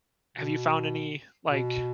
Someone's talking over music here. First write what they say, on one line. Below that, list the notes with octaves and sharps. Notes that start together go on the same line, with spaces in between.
Have you found any like
B2
B2